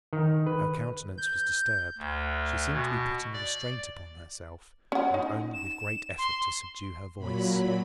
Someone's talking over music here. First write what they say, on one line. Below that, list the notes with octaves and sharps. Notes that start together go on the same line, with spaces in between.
Her countenance was disturbed, she seemed to be putting a restraint upon herself, and only with great effort to subdue her voice.
D#3
B4
G6
D2
B2
D5
C#4 F#5
D#4
E7
C6
A#2 F#3 B5